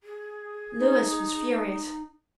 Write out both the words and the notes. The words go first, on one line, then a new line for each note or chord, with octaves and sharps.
Louis was furious.
G#4
D#4